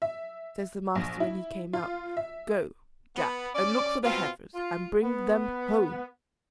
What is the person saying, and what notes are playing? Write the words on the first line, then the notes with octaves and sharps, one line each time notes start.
Says the master when he came out, "Go, Jack, and look for the heifers, and bring them home."
E5
A#1
E4
F4
E5
B3
C#4 D5
B2 C4 F4
F4
B3